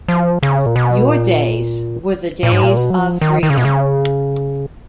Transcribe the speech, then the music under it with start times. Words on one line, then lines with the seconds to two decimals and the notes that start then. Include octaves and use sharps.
Your days were the days of freedom.
0.08 F3
0.43 C#3
0.66 A#2
0.76 B2
1.09 A#2
2.43 A#2
2.52 G#2
2.63 A#2
2.77 B2
2.90 F#3
2.98 F3
3.21 D#3
3.43 D#3
3.50 C#3
3.57 B2
3.65 C#3